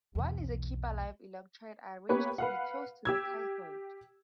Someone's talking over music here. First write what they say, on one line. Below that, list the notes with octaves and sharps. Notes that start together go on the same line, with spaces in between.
One is a keep-alive electrode, arranged to be close to the cathode.
B1 E2
A#3 B3 G4 B4 C#5
B4 F5 F#5
G4 E6 G#6